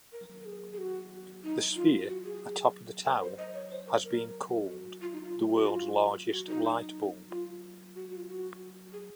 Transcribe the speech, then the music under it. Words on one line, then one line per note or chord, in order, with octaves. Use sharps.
The sphere atop the tower has been called the "world's largest light bulb".
A#4
A#4
G#4
G#4
F#4
D#4
F4
F#4
G#4
A#4
C5
D#5
C#5
C5
A#4
A#4
F#4
F4
D#4
F4
F#4
F4
F#4
D#4
F4
F#4
F#4
F4
F#4
G#4